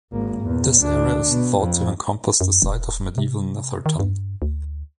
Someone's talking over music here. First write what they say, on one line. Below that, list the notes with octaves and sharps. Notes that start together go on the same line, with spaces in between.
This area is thought to encompass the site of medieval Netherton.
G#1 A#3
E2 A#2
D2 D4
B2
F2
F#2
E1
C3
D#3
G2
D2